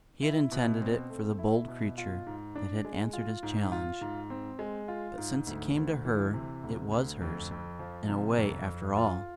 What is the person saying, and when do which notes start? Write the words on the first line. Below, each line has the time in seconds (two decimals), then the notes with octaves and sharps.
He had intended it for the bold creature that had answered his challenge, but since it came to her, it was hers, in a way, after all.
0.23 E4
0.52 B2
0.81 C4
1.10 A3
1.39 E4
1.68 B2
1.98 F4
2.27 G#2
2.55 D4
2.85 G#3
3.13 F4
3.43 G#2
3.72 F4
4.01 G#2
4.30 C4
4.59 G#3
4.88 F4
5.18 G#2
5.47 D2
5.76 D2
6.05 E3
6.34 C3
6.63 D2
6.92 D2
7.21 F2
7.51 F2
7.79 F3
8.09 C3
8.38 F2
8.67 F2
8.97 F4